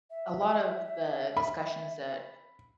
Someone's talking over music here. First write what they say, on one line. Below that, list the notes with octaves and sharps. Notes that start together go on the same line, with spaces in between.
the, uh, a lot of the discussions that,
E5
B5